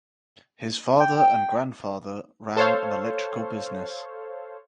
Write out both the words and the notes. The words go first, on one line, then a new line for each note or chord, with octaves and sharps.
His father and grandfather ran an electrical business.
G5
A4 C5 C#5 F5